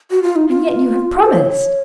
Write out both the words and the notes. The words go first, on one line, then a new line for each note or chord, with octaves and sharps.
"And yet you have promised?"
F#4
F4
D#4
F4
C5
C#5